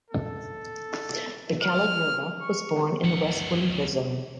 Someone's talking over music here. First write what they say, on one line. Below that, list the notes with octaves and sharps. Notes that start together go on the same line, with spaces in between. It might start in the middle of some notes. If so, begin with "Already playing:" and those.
Bekele Gerba was born in in West Welega Zone.
A4
F6
C#6
C#2 F#5